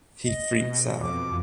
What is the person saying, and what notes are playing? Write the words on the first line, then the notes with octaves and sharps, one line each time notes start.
He freaks out.
D#5
B2
F2 D6